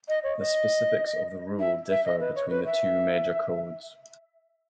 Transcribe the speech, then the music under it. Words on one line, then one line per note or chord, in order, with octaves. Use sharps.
The specifics of the rule differ between the two major codes.
D#5
C#5
D#5
E5
E5
D#5
B4
C#5
B4
E5